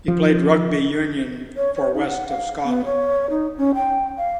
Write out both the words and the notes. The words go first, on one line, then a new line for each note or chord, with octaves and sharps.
He played rugby union for West of Scotland.
F3
C#5
C#5
D#4
F#5
F5
B3
C#5
D#4
C#4
G5
F5